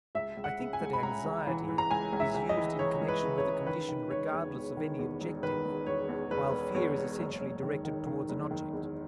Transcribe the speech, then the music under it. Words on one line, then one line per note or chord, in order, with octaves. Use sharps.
I think that anxiety is used in connection with a condition regardless of any objective, while fear is essentially directed toward an object.
C#2 E5
C#2
F#5
C#3
G#5
C#2
B5
C#2 A#5
C#2
E3
E3
A#5
C#2 G#5
C#2
E5
C#2
D#5
E3
E3 C#5
C#2
B4
C#3
C#5
C#3
D#3 B4
D#3
E1 C#5
E2
E1
D#3
E2
E1
D#3 B4
E1
E1 C#5
E2
E1 B4
E1
E2 C#5
E1
F#1
F#1
D#3
D#3
D#3
F#1
D#3
E2